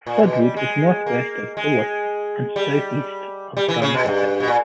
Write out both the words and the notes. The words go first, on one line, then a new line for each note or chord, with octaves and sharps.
Floodwood is northwest of Duluth and southeast of Grand Rapids.
A#2
B2
G3
G#3
A#3
G#3
G3
G3
E3
C#3
B2
G2
B2
A#2